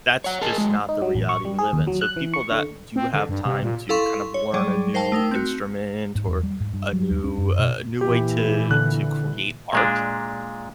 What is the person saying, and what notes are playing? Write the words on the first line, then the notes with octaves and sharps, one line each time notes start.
that's just not the reality we live in. So people that do have time to kind of learn a new instrument or a new, uh, new way to to create art,
C#5 F#5
G#4 A#4 D#5 G#5 A5
F#3 G#3
D#4
F#3
A1
C#6
G3
G#4
D#2
F#3
F#6
E3
C#6
D3
C4
D3
G2
C3
A#2
E4 A4 F5 C6 C#6
C#5
F#3 G3 G#4 D5
A#4 C5 F5 G5 A5
A3 D#4 A#4 G5
C4 F#4
G#2
E2
G3
G#2
G2
F#3
D#2
C#4
F#2
B2
A#2 E3 G4
D3 F#6
A#2 G#3 D4